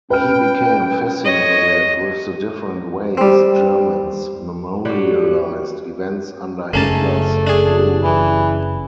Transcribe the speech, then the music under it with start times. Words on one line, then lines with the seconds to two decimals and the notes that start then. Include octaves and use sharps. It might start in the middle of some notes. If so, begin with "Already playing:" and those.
He became fascinated with the different ways Germans memorialized events under Hitler's rule.
0.10 C#4 B4 G5 F6
1.25 C#5 D#5
3.17 G3 C4
4.85 F#3 G3 F#4 G4
6.73 F#1 C#3 A3 A#3 C#4 A5
7.47 D4 G#4
8.03 E3